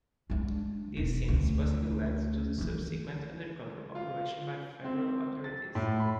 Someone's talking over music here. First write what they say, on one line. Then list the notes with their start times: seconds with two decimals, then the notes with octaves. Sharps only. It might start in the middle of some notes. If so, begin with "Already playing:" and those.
These scenes possibly led to the subsequent undercover operation by federal authorities.
0.30 G#3 D4
0.97 E1
1.28 D2
2.58 D#3 E3
3.95 F4
4.84 C4
5.44 A6
5.75 A2
6.00 B5